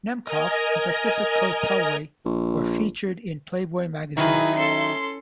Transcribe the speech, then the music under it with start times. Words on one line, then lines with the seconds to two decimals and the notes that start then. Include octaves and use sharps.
Nemcoff and Pacific Coast Hellway were featured in "Playboy Magazine".
0.24 A#4 D#5 G#5 A#5
2.25 A#1
4.17 D#3 F#3 D#4 E4 G#4 B4 E5
4.56 C#4 A4 C6